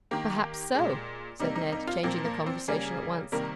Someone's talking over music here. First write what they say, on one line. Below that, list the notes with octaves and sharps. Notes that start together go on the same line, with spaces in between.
"Perhaps so," said Ned, changing the conversation at once.
D#3 A#3 G4
A#2 G#3
C3 G3 A#3 D#4
D#4
D#4
F4
A#2 F3 A#3 C4
A#3
C4
C#3 G3 A#3 G#4
C3 D#3 G3 A#3 A#4